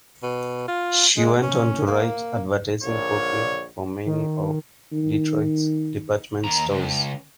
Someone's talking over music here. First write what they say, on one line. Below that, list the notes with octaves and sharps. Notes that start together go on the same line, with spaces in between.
She went on to write advertising copy for many of Detroit's department stores.
B2
F4
G#3
C#4
A#3
A#1 A#2 D3 C#5
D#3
D#3
D#2 A#5
C#2